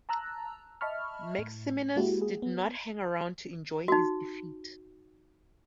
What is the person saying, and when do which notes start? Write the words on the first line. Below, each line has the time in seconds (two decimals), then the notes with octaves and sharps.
Maximinus did not hang around to enjoy his defeat.
0.09 A5 A#5 E6 F#6
0.81 D#5 E5 A5 B5 C#6 F6
1.39 A2
1.96 G#3 A#3 E4 F#4 G4
2.21 G#4
2.42 B3
3.88 D#4 F#4